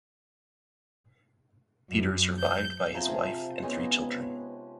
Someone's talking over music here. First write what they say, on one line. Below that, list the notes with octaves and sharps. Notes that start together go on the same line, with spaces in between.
Peter is survived by his wife and three children.
F#2
G6
C3 F3 G#4 E5 A5 A#5
G#3 B3 C#4 D#4 B4 G#5